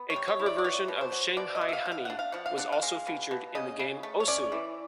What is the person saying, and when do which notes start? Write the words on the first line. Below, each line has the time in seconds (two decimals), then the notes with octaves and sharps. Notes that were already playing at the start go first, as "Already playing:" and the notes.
A cover version of "Shanghai Honey" was also featured in the game Osu!
Already playing: B3
0.10 C#5
0.16 G3
0.28 C#5
0.39 E4
0.46 D5
0.58 D5
0.64 B3 C#5
0.88 B2
1.01 C5
1.12 F#3
1.37 B2 D5
1.55 D#5
1.61 B2
1.69 E5
1.73 F5
1.86 B2
1.92 F5
2.05 D4 F#5
2.19 F5
2.32 F3 F#5
2.46 F5
2.58 D4 F#5
2.72 F5
2.83 G#3
3.07 B2
3.31 B2
3.55 C#3 D#5
3.79 C#3
4.03 A3
4.20 C#5
4.28 C#4 D5
4.52 E3